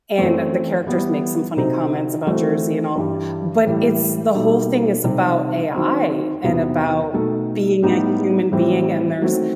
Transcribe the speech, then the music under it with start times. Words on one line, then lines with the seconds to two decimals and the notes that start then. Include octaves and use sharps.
and the characters make some funny comments about Jersey and all, but it's the whole thing is about AI and about being a human being and there's
0.18 F#2 E3 A3 C4
0.87 E3 G3 B3
1.57 C3 F#3 C4 D#4
2.27 E3 A3 C4 F#4 A4
2.95 G2 E3 G3
3.66 A2 E3 G3
4.35 B2 G3 D#4 A4
5.04 C3 D#3 G3
5.74 D#3 F#3 C4
6.44 E2 C3 F#3 B3 D#4
7.13 B2 A3 D#4 A4
7.83 A2 G3 B3 D#4
8.52 A2 E3 G3 C4
9.21 D#3 F#3 A3 C4 F#4